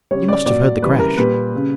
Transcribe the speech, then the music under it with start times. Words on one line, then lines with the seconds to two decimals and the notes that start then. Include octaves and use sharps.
You must have heard the crash?'
0.11 C#3 G3 C#5
0.28 D5
0.46 A#2 F#3 D5
0.82 C#3 E3 G3 B4
0.99 A#4
1.17 A#2 G3 B4
1.54 C#3 G3